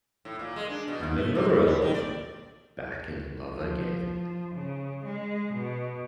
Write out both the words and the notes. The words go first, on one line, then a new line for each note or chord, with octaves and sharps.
And another album, "Back in Love Again".
A2
A#2
G#3
D4
B2
D#2
A3
C3
C#3
B3
D#3
D5
F3
C#3
G#3
B2